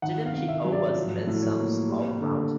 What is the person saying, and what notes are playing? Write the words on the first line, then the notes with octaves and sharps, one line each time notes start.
Didn't he owe us immense sums, all round?
D#3 F#5
F5
C3
E5
F#3
D5
F3
A2
C#5
A#3
G3
D3